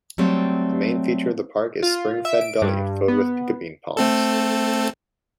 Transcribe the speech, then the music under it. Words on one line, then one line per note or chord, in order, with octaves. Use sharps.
The main feature of the park is spring-fed gully filled with piccabeen palms.
F#3 G3 A3 C4
F4
E5
D7
G2
B3
A3 C4 A4